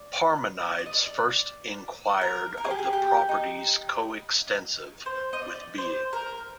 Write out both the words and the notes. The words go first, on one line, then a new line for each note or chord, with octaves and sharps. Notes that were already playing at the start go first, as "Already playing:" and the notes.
Parmenides first inquired of the properties co-extensive with being.
Already playing: D5
D5
D#5
D5
A#4
A#4
G#4
G4
G#4
G4
D#4
C5
D#5
D5
C5
A#4